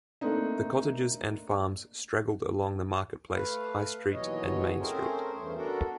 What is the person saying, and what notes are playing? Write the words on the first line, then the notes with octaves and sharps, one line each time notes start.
The cottages and farms straggled along the Market Place, High Street and Main Street.
A3 A#3 C4 D4 D#4
A3 B4 F5
D#2 B2 E3 F#3 C#5 D#5
A3 C4 C#4 G#4 A#4 C5
E2 G2 A3 C#4 C5
B3 D4 F#4 A4 A#4